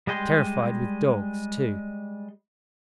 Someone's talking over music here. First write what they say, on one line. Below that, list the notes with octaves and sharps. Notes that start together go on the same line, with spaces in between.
Terrified with dogs too!
G3 G#3 D#5 G5 C6